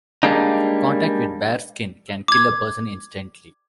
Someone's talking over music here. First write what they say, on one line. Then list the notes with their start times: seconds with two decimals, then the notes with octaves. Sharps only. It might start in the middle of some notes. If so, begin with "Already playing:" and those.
Contact with bare skin can kill a person instantly.
0.23 G3 G#3 A#3 D4 D#4
2.28 D6 G#6